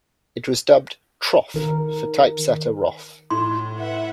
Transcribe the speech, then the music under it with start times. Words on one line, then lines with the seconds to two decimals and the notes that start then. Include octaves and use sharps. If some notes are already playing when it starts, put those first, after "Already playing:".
It was dubbed "troff", for "typesetter roff".
1.54 D#3 A#4
3.30 A2 C6
3.77 B4 E5 F#5